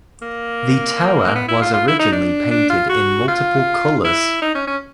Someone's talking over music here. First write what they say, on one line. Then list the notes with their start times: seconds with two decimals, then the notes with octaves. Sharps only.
The tower was originally painted in multiple colors.
0.22 A#3
1.27 A#3
1.35 B3
1.48 E4
1.62 F4
1.74 F4
1.87 E4
1.99 D#4
2.12 D4
2.51 D4
2.70 F4
2.89 F#4
3.28 F4
4.04 E4
4.42 D#4
4.55 C#4
4.67 C#4